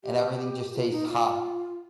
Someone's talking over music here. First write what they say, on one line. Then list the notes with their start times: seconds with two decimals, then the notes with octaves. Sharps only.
and everything just tastes hot.
0.03 G4
0.74 F4
0.91 D#4
1.09 F4